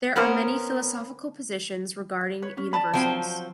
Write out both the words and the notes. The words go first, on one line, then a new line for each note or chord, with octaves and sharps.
There are many philosophical positions regarding universals.
B3 C#4 A#4 C5
B4 C#5
C#4
D5 A5 B5
F3 F#3 C4